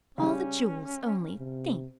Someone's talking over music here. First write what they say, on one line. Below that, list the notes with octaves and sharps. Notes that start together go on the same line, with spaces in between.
All the Jewels, only think!
C#3 G3 C#4
C3